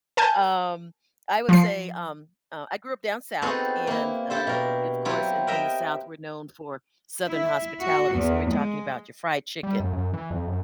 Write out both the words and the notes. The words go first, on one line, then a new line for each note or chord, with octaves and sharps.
um, I would say, um, uh, I grew up down south, and, uh, of course, in in the South, we're known for southern hospitality, so we're talking about your fried chicken,
A#4 G#5 A5 G6
F3 F4 C7
B3 C4 D#4 F#4 G#4 A4
A#3 E4
D4 E4 G4 A4 C5
B2 A#4
F#3 C4 E4 F4 G4
A#4 D#5 E5 G5 A#5
E4
F#4
E2
G#3
G3
F#2
F#2
E3
F2
F#2